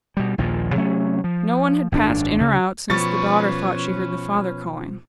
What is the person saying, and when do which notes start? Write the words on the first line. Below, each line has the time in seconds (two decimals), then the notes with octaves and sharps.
No one had passed in or out, since the daughter thought she heard the father calling.
0.17 B2 G3
0.38 A#1 D#2 A#2 F3
0.76 C3 F#3 A3 C#4
1.24 F3
1.92 G#1 F#2 C#4 D4
2.38 D2 C#3
2.90 B2 F3 C#4 B4 C#6 A6